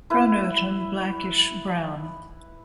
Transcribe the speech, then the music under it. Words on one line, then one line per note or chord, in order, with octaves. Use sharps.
Pronotum blackish brown.
E4 B4